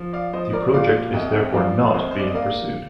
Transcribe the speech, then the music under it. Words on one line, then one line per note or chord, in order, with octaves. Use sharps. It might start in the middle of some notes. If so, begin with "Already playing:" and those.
The project is therefore not being pursued.
Already playing: F3
D5 F5
F3 C5 D#5
A#4 D5
A#2 D5 F5
F5
C2 D#5 G5
F3 D5 F5
C2 C5 D#5
C5
D5
D#5
A#3 D5 F5